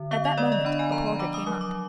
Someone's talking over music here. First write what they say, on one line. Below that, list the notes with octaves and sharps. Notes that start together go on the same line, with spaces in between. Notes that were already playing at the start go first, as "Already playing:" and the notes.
At that moment a porter came up.
Already playing: D3
B3 F5
D#5
G#3 D5
D#5
D4 B5
G#5
F3 A#5
B5
D4 D6
D#6
F#3 D#6
D6